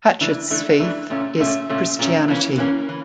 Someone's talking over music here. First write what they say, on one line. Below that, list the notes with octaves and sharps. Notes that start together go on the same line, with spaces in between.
Hatchett's faith is Christianity.
E3 A3 D4
E3 A3 D4
E3 A3 D4
A#2 A3 C#4
A#2 A3 C#4
A#2 A3 C#4
A#2 A3 C#4
E3 A#3 C#4
E3 A#3 C#4
E3